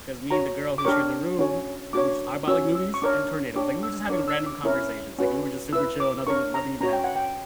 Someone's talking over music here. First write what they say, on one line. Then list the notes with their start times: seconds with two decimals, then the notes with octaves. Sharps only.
'cause me and the girl who shared the room, we were just talking about, like, movies and tornadoes- like, we were just having a random conversations, like, we were just super chill, nothing nothing even happened.
0.31 F#4 C#5 A#5
0.78 D6
0.85 D4 G4 A#4 C#5 C#6
1.39 C#4 F#4 C#5
1.93 D4 F#4 C#5 D6
2.47 C#4 F#4 C#5 E6
2.75 E6
2.94 C#6
3.02 D4 A#4 C#5 D6
3.56 D4 G4 C#5 D6
3.83 E6
4.10 D4 A#4 C#5 D6
4.28 E6
4.46 D6
4.64 C#4 E4 A#4 C#5
5.18 C#4 F#4 B4
5.73 E4 B4 E6
6.00 D6
6.27 D4 A#4 C#5 C#6
6.54 A#5
6.81 C#4 F#4 C#5 A#5
6.93 G5
7.04 F#5
7.16 G5